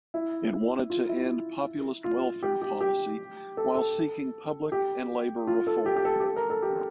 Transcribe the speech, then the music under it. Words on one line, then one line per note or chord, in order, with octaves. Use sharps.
It wanted to end populist welfare policy while seeking public and labour reform.
E4
F4
E4
F4
G4
G4
G4
A4
A4
G4
F4
A4
G4
G4
A4
G4
A4
A#4
A4
G4